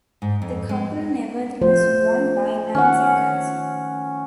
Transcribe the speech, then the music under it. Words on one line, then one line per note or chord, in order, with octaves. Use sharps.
The couple nevertheless won by nine seconds.
G#2
F2
G#3
F3 A3 C5
D#3 C#4 F#5